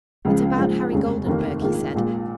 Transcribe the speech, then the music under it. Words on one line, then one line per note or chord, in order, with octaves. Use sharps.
"It's about Harry Goldenburg," he said.
C#2 C#3 F3 G#3
A#1 G#2 F3 G#3
F1 D#2 C#3 G#3 C#4
F1 D#2 D#3 A#3
A#1 G#2 D#3 A#3 F4
A#1 A#2 G#3